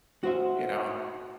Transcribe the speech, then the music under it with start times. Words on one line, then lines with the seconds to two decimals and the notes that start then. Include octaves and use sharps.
You know?
0.23 F#4 C5 E5